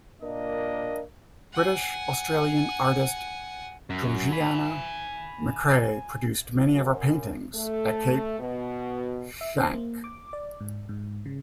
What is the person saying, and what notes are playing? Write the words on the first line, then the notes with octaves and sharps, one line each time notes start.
British-Australian artist Georgiana McCrae produced many of her paintings at Cape Schanck.
A#2 A#3 D4 A#4 D#5
F#5 G#5
F#2
G#5 B5
F#2
A3
B2
E5
C5
A#3
D6
D5
G#2
G#2
C#3